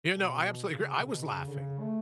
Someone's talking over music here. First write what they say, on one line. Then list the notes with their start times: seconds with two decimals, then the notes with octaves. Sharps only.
You know, I absolutely agree I was laughing.
0.09 B2
0.66 C#3
0.95 B2
1.02 C#3
1.08 B2
1.23 C#3
1.48 D3
1.52 C#3
1.80 A3